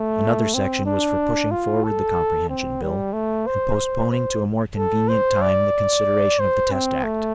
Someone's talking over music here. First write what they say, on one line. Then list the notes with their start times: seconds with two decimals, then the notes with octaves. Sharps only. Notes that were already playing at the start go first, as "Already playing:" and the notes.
Another section was for pushing forward the Comprehension Bill, and postponing to a more convenient time the consideration of the Test Act.
Already playing: A3
0.54 C4
0.86 D4
1.51 F4
1.84 A4
2.49 C4
2.82 G3
3.14 A3
3.47 C5
4.11 C5
4.77 A4
5.09 C5
5.42 D5
6.40 C5
6.72 C4
7.04 A3